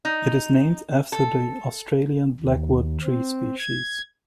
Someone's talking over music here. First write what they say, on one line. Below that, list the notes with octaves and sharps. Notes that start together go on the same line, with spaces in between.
It is named after the Australian Blackwood tree species.
D#4
A4
D#2
C4
G#6